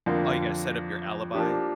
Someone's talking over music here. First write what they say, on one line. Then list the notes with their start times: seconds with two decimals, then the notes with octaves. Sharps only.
Oh, you gotta set up your alibi?
0.06 F2 D3 A#3
1.34 F3 A#3 D4 G4